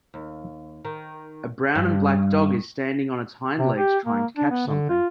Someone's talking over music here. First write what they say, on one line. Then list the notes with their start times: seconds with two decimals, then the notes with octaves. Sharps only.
A brown and black dog is standing on its hind legs trying to catch something.
0.14 D#2
0.85 D#3
1.75 G2
3.58 C3
3.77 G4
4.06 A#3
4.37 D4
4.51 B3
4.68 D3
4.89 F4